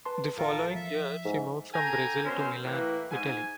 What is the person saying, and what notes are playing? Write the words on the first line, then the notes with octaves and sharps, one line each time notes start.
The following year she moved from Brazil to Milan, Italy.
B4 A5 C6
A1 F4 A4 A#4
F3 E5
G#2
D3 A4 G5 G#5 A#5
F#2 B2 C#4 A#4 C5
A2 E3 A#3
G#2 G#5